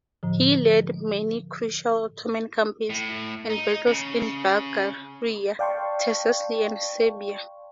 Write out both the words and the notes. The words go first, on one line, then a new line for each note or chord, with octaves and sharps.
He led many crucial Ottoman campaigns and battles in Bulgaria, Thessaly, and Serbia.
A2 D3 F3
A2
D#4
C#3
D5 F5 G5 A5 C6 C#6